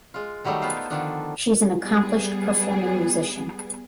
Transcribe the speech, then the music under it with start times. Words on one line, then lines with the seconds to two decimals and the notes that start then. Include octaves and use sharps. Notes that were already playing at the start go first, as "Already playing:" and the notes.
She is an accomplished performing musician.
0.14 G#3 F4
0.45 D#3 F#3 G3 A3 D#4
0.62 B3 F4 C5
0.90 D3 D#3 F3 A3 D4 D#4
1.81 G3 B3 G#4